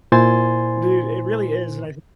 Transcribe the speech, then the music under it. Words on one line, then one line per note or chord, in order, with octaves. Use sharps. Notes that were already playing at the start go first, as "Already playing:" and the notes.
Dude, it really is, and I
A#2 E4 C5 G#5 C6 A6